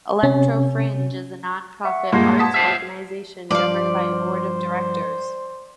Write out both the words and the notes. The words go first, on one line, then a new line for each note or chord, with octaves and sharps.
Electrofringe is a nonprofit arts organisation governed by a Board of Directors.
C3 C#4
E5 F#5 C#6
G2 A#2 G#3 A#3 C6 G6
F#5 A5 D#6 G#6 B6
F4 C5 E5
G2 F3 C5 D5 F5